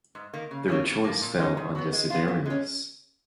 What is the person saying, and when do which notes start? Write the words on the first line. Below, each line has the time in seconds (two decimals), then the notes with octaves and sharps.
Their choice fell on Desiderius.
0.15 G#2
0.34 D#3 A#3
0.51 C#3
0.68 F#3 A#3 C#4
0.86 F2
1.04 F3 A#3
1.22 A#2
1.39 G#3 C#4
1.57 G#2
1.75 F#3 B3
1.93 G#3
2.10 B3 F4
2.28 A#2
2.46 G#3 C#4